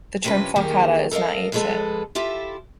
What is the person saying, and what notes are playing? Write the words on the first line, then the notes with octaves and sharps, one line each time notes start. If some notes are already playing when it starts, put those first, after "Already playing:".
The term "falcata" is not ancient.
C3 F3 C#4 D4 B4
D#2 D#3 A#3 G4 G#4
A4 A#4 C5 D#5 F5
F2 F3 G#3 C4 A4 B4
E4 F4 G4 A4 E5